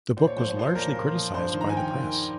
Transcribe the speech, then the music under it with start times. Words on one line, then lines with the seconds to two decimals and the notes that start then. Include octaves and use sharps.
The book was largely criticized by the press.
0.17 A#2 C5
0.27 C#5
0.36 F3 C5
0.48 C#5
0.57 F3 C5
0.75 A#2 A#4
0.96 A#2
1.14 F3
1.34 G2 C5
1.54 D#3
1.61 A#5
1.69 G#5
1.73 D#3 G5